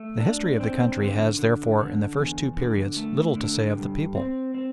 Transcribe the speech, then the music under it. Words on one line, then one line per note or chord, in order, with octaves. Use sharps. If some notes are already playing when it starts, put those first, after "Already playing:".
The history of the country has, therefore, in the first two periods little to say of the people.
Already playing: A3
D4
C4
D3
D3
D3
E2
D3
A3
D3
G2
C4
C4